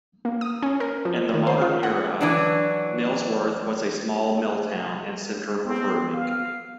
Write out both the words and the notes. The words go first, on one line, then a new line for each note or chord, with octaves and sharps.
In the modern era Nailsworth was a small mill town and centre for brewing.
A#3
D#6
C#4
A#4
F3
D#3
C5
F4
F#5
E3 F#3 D4
B3 C4
F5